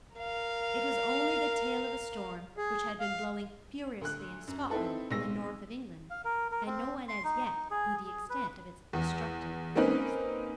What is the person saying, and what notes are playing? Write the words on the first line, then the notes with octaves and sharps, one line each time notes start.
It was only the tail of a storm which had been blowing furiously in Scotland and the north of England, and no one as yet knew the extent of its destructive force.
A#4 F5
G#4
F5
D2 F#6
F#2
C4 D#4 E4 A4 B4
B1 G#3 C4 E6 A#6
F5
A#4
A#4
C4
C6
D#4
D#4
G#4
G#4
B4
E2
A#3 C4 C#4 D#4 B4